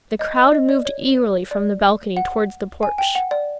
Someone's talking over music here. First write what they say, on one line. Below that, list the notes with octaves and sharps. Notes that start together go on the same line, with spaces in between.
The crowd moved eagerly from the balcony toward the porch.
D#5
D#5
D#5
D5
C#5
D5
F#5
G#5
G5
F#5
D5